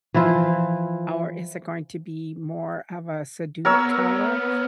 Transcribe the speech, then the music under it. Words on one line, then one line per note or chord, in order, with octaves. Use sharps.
Or is it going to be more of a subdued color?"
E3 F3 E4 F4
B3 A#4 C#5 E6